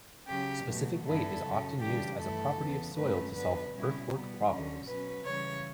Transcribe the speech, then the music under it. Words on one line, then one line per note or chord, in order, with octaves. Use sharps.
Specific weight is often used as a property of soil to solve earthwork problems.
C#3 F#3 C#4 G4
B2 F#3 A3
G2 D3 G3 B3 E4 A4
F#2 C#3 F#3 C#4
C#3 E3 G3 D4 G4
G2 E3 A3 E4 A4
E2 C#3 E3 B3
G2 F#3 A3 C#4 B4
D3 F#3 B3 B4
B2 G3 C#4 E4
B2 G3 B3
D3 F#3 C#4
B2 F#3 C#4 B4
C#3 E3 G3 C#5